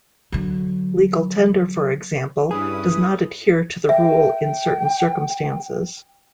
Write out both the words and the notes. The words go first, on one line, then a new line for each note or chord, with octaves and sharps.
Legal tender, for example, does not adhere to the rule in certain circumstances.
D3 F#3
G2 C#4 E4 G#4 B4 D#6
E5 G5